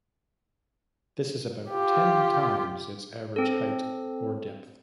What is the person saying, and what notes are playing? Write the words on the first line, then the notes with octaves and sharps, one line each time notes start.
This is about ten times its average height or depth.
F4 G4
C4 A4